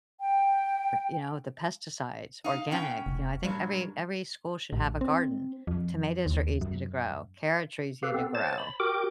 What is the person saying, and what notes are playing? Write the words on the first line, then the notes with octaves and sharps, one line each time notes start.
you know, the pesticides, organic, you know, I think every every school should have a garden. Tomatoes are easy to grow, carrots are easy to grow.
G5
D#4 F5
B2 C#4 G5
F1
G2 A#2 F#3 G3
A1
C4
F2
D#2
F#2
G4 A4 B4 F5
B3 C4 A4
C5 C#5 A5 A6
B5
F#4 G4 A#4 G5 D6